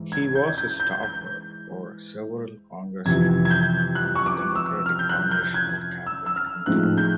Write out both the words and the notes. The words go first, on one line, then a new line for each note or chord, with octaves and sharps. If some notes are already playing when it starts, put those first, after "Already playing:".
He was a staffer for several congressmen and the Democratic Congressional Campaign Committee.
Already playing: G#2 E3
G#6
G6
G#6
G6
G6
G6
F2 C3 E3 G#6
G#6
G6
F#6
C#6
D6
E6
F6
G6
F#6
G6
G#6
E6
E6
F6
A2 F3 G#3 C4 D#4 F#6
G6